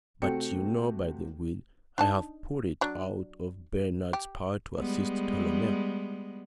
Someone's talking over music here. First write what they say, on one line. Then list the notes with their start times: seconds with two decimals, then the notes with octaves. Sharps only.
But you know, by the will, I have put it out of Bernard's power to assist Tolomeo.
0.22 C3 A3 C4 F#4 G5 C#7
1.98 D4 D#4 A5
2.81 F#3 D4
4.13 G4
4.79 G3 G#3 B3